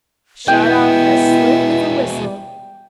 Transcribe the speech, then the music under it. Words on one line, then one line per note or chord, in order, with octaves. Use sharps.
Shot off as slick as a whistle.
B2 G#3 B3 E4 E5 G5